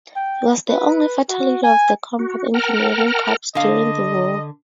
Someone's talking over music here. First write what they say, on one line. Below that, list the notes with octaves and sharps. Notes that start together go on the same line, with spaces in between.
He was the only fatality of the Combat Engineering Corps during the war.
G5
B4
F#4
G#5
F#4
A#4 F#5 G5 A5 A#5 F6
D3 D#5 F5